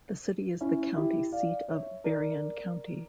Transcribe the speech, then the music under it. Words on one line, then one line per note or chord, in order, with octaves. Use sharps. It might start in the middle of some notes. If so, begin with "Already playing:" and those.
The city is the county seat of Berrien County.
C#4 E4
E4 G4
D5 F5
C#5 E5
A#4 D5